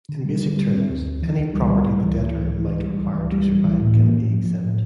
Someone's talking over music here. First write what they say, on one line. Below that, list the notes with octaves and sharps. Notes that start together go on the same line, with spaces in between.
In basic terms, any property the debtor might require to survive can be exempt.
D3
G3
D3
G3
C4
D2
D2
E3
C#2
G3
G3
C#2
E3
C#2
C#2
E3
E3
G3
C#2
E3
G3
C#2
E3
A2
A#3
A2
F3
F3
A2